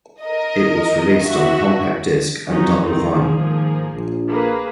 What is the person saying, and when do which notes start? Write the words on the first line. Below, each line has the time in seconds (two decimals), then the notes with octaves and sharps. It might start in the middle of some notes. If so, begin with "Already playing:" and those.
It was released on compact disc and double vinyl.
0.22 A#4 D#5
1.22 F#4 E5
2.49 F2 F#3 C#4 D#4 F#4
2.82 G1 D#3 C4 D#4
3.16 G#2 D#3 F3 A#3 G#4
3.93 A#1
4.28 A#3 G#4 B4